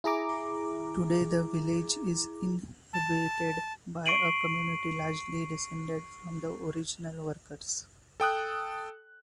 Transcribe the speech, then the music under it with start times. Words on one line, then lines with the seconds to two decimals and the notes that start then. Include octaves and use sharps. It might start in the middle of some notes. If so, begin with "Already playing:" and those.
Today the village is inhabited by a community largely descended from the original workers.
0.04 E4 G#4 A#5 D6
2.93 A5
4.06 C#6 C7 D7 D#7 F#7
8.20 A4 G5 D#6 F#6